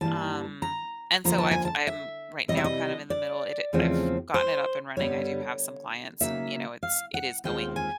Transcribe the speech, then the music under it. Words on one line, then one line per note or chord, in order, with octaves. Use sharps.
um, and so, I've I'm right now kind of in the middle it I've gotten it up and running. I do have some clients and, you know, it's it is going
G2 E3 G3 A#3 A5
A#5
D#2 D3 F3 A#3 A#5
A5
G#5
A5
E5
C3 E3 G3 D#5
E5
D#5
D5
E2 C#3 F3 A3 C4
C5
G2 D3 G3 B3 C#5
C#3 F#3 A#3 D#4 E5
F5
F#5
D#2 D#3 G#3 C4 F4 G5
G#5